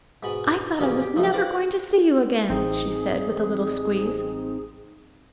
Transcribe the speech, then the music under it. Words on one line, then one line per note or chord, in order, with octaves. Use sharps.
"I thought I was never going to see you again," she said, with a little squeeze.
G#2 B2 G#5 B5
D#2 G#2 B2 E3 A#3 C#4
G4
C#2 F#2 F3 F#3 A3
F#4 B4 C5 D5 F5 F#5
A1 C4 D#4 G#4